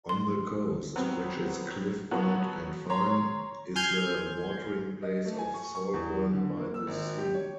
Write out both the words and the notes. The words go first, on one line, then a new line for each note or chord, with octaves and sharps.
On the coast, which is cliff-bound and fine, is the watering-place of Saltburn-by-the-Sea.
C6
F#3 B3 C4
F3 F#3 B3 F#4
C#5 A#5 C6
G#5 C6 F6 G6 G#6
D#5
A3
G#5
C#6
C#6
E2
D3
A#3
E6
G#1
G4
C#5